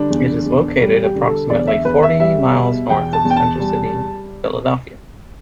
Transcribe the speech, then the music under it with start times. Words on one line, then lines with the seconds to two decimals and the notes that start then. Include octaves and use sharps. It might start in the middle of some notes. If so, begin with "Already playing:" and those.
It is located approximately forty miles north of Center City, Philadelphia.
Already playing: D3 G3 D4
0.10 E2
0.46 E2
0.80 G3
1.03 G4
1.15 D3
1.27 A4
1.50 E2 D5
1.67 E5
1.85 E2 B4
2.03 E5
2.20 G3 E5
2.55 B2
2.90 E2 G5
3.13 A5
3.25 E2
3.30 G5
3.36 A5
3.59 G3